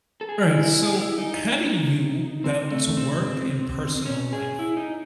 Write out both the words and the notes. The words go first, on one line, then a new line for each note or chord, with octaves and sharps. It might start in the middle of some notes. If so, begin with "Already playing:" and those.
Alright, so how do you, balance work and personal life?
A4
G#4
E4
E4
G#4
E4
D#4
C4
A3
C4
C#4
G#4
E4
D#4